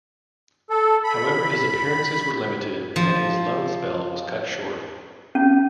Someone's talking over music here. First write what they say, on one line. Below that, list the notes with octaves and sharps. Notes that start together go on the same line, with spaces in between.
However his appearances were limited and his loan spell was cut short.
A4
B5
F3
C#4